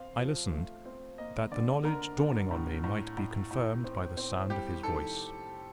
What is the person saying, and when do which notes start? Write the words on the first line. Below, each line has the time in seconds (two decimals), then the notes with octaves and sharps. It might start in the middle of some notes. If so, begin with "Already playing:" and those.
I listened, that the knowledge dawning on me might be confirmed by the sound of his voice.
Already playing: C4 F5
0.19 F3
0.51 A3
0.85 C4
1.18 A#3 D#5
1.51 D3 D5
1.84 D3 A#4
2.18 D3
2.51 A2
2.84 A2
3.17 A2
3.51 A2
3.84 C4
4.17 C4
4.50 G3 G4
4.83 D#3 A4